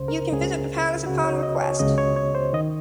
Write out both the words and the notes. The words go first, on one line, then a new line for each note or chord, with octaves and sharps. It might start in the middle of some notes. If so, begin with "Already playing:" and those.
You can visit the palace upon request.
Already playing: C#2 C#3 C5
A#4
C#2 C#3 G#4
C#2 C#3 F#4
C#5
D#5
C#5
C#2 C#3 D#5
C#5
C#5
C5
D#3 D#5